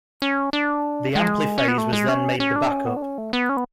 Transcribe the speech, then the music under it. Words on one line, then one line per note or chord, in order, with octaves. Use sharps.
The Ampliphase was then made the back-up.
C#4
D4
G#3
C#4
B3
A3
G#3
C#4
C#4
D4
C#4
B3
D4
C#4
A3
B3
C#4
B3